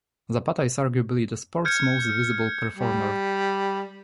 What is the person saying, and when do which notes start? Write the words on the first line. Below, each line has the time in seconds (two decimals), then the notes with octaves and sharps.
Zapata is arguably the sport's most visible performer.
1.65 F6 G6 G#6 C#7
2.75 G3